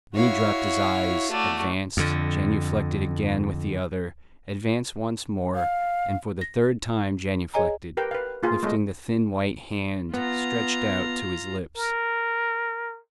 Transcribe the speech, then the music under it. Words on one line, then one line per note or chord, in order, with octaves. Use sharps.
Then he dropped his eyes, advanced, genuflected again with the other, advanced once more, and for the third time genuflected, lifting the thin white hand, stretched out, to his lips.
E4 F#4 C#5 F5
A3 F#4 D5
F2 D3
F5
A#6
G#4 C#5 D#5 G#5 A#5
G4 A#4 B4 G5
B4 F5
A#3 F4 G#4
G#3 A3 B3 D#5
B3 F4 A#5
A#4